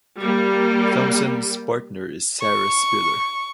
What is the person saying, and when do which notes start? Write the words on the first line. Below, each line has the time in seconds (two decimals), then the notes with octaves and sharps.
Thomson's partner is Sarah Spiller.
0.20 G3 A#3
2.41 C#6